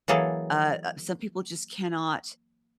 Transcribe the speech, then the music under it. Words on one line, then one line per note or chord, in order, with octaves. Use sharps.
uh, some people just cannot
E3 F#3 A#3 G#4 A4